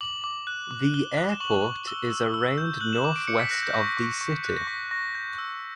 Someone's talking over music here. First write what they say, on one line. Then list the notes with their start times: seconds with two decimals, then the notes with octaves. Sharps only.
The airport is around northwest of the city.
0.01 D6 F#7
0.24 D6
0.47 F#6
0.71 D6
0.94 F#6 G7
1.17 F#6
1.32 E7
1.40 C#6 F#7
1.64 C#6
1.87 E6 G7
2.11 E6
2.34 E6
2.58 G6
2.80 F#6 F#7
2.93 E7
3.04 D6 E7
3.16 D7
3.27 D6 C#7
3.40 B6
3.51 F#6 A#6
3.63 G6
3.74 C#6 A#6
3.97 C#6
4.21 C#6
4.44 F#6 G6
4.56 A#6
4.67 C#6 B6
4.91 C#6 A#6
5.15 G6
5.38 E6